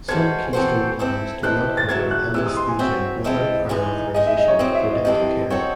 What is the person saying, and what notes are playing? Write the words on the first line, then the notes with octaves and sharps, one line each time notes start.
Some Keystone plans do not cover "anesthesia without prior authorization" for dental care.
G#3 C#4 F#4 A4 C5 G#6
E3 C4 F#4 A4 C5
C4 E4 A4
E3 C4 E4 A4 D#5 F#6
A6
C#3 F#3 A3 G#6
F#6
C3 E3 G#3 E6
D#6
C6
G#5
C4 F#4 C#5 E5
G#3 C4 E4 A4 D#5
A2 E3 G#3 D#4
G#3 D#4 G#4 D#5
E5
D#5
C#5
A2 F#3 C4 E4 D#5
E5
D#5
C3 E3 C4 E4 A4 D#5
C4 F#4 A4 C#5 D#5